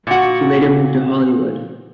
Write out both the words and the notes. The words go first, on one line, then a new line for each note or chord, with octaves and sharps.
He later moved to Hollywood.
A#2 F#4